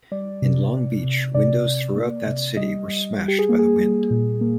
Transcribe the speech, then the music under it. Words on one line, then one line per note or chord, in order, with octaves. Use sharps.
In Long Beach windows throughout that city were smashed by the wind.
G3 D5
C3
C3
C3
C3 D5
C3
A#3
C3
G3 D#5
G3
G3
G4
G#4
A#3
G#4
G3
A#2
A#3